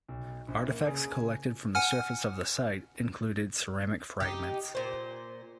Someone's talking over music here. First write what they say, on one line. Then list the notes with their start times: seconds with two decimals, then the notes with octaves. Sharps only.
Artifacts collected from the surface of the site included ceramic fragments.
0.08 B1
0.48 A#1
0.65 A#3
0.86 C#3
1.11 G#5
1.75 F#5 G#5 F6
4.20 D#4 G4
4.75 A#2 C5